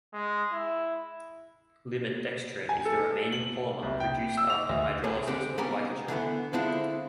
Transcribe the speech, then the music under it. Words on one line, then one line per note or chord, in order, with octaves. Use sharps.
Limit dextrin is the remaining polymer produced after hydrolysis of glycogen.
G#3
E4
G#5
A4
F#7
C2
G5
E6
F7
D2
C2 A#2 G#4
D3 G#3 C4 G4
G3 A#3 B3 C#4 A#4
D3 E3 A3 B3
D3 G#3 C4 D4 E4 F4